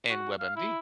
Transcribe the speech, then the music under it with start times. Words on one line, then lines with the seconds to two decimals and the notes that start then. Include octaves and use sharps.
and WebMD?
0.10 F#4
0.40 F5
0.57 E4